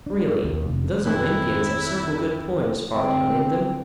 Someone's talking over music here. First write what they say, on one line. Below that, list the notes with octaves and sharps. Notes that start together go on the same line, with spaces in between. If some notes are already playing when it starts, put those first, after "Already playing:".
Really, those Olympians have certain good points, far down in them.
D4
D#2
F1
F2 D#3 E4 F#6
D3 C4